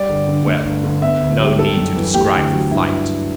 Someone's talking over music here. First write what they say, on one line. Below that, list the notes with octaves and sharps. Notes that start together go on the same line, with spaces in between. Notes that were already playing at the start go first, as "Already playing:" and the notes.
Well, no need to describe the fight.
Already playing: G3 D5
G1
D3
A3
G1
D3
B3 E5
D2
G3
G3 A4
F#2
E3
A3 G4
D2
F#3
G2 E4